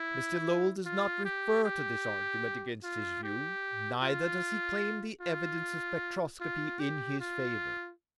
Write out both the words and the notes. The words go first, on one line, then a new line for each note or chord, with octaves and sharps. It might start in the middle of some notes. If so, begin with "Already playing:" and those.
Mr. Lowell does not refer to this argument against his view, neither does he claim the evidence of spectroscopy in his favour.
Already playing: E4
F4
G4
G4
F4
G4
F4
F4
F4
G4
F4